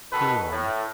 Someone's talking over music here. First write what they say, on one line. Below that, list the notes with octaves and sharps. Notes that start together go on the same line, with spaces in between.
Go on.
B2 D#3 A4 B4
A2